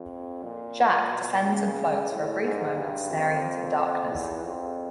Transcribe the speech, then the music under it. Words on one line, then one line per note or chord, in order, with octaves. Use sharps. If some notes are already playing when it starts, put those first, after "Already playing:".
Jacques descends and floats for a brief moment staring into the darkness.
Already playing: F2
A#2
B2
C#3
A2
G#2
G2
F2
E2
F2